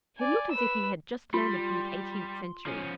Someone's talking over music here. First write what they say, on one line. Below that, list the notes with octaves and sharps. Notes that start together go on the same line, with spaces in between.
He looked as if he had just landed from the Eighteenth Century.
D5 G#5
B4 E6
G3 F4 C6
F3 C#4